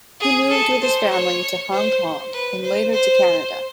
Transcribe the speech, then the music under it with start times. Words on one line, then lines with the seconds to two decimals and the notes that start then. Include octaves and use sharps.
He moved with his family to Hong Kong and later to Canada.
0.20 G#4
0.50 A4
0.81 C5
1.11 C#5
1.72 C5
2.33 B4
2.63 C5
2.92 C5